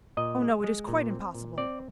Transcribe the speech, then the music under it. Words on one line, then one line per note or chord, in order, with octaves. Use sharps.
Oh, no, it is quite impossible.'
A#2 D#5
G#3
G#3
A#2
C4
A#2
C4 D5